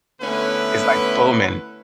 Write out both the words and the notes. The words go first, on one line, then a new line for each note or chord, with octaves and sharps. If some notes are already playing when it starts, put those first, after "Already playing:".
It's like booming.
D3 A3 B3 C#4 E4 B4